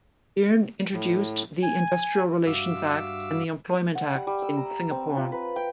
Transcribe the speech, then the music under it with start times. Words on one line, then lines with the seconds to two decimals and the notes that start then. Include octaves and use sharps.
Byrne introduced the Industrial Relations Act and the Employment Act in Singapore.
0.93 A2
1.63 G#5
2.47 G2 F#4 E5 F5 D6 E6
3.95 F#5
4.15 G3
4.27 G3
4.42 E6
4.57 A#5
4.71 E6
4.91 C4
5.17 F4
5.32 B4
5.56 G5